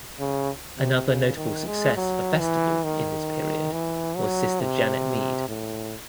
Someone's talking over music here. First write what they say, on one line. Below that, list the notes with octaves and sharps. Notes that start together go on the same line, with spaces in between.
Another notable success for Festival in this period was Sister Janet Mead.
C#3
C3
C#3
D#3
G#3
F#3
E3
D#3
E3
F#3
C3
A2